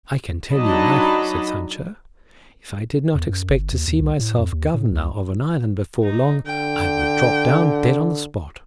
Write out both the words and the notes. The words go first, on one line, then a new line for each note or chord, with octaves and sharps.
"I can tell you, wife," said Sancho, "if I did not expect to see myself governor of an island before long, I would drop down dead on the spot."
F#3 D4 D#4 D#5 A5 B5
E2
F#2
G1
D#2
D#2
C2
A2
F2
D#2
A2
C#2
D#4
D3 G5